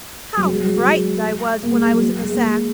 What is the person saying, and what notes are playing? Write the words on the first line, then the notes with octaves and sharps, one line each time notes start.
How frightened I was when I was in the sack!
F#3
G#3
F#3
G#3
F#3
G#3
A#3
G#3
A#3
F#3
G#3
A#3
G#3